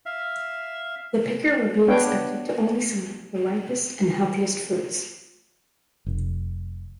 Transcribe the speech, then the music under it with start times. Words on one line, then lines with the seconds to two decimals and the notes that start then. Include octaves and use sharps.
The picker would be expected to only select the ripest and healthiest fruits.
0.06 E5 F5
1.88 B3 D4 B4 C#5 F5 G5
6.06 F1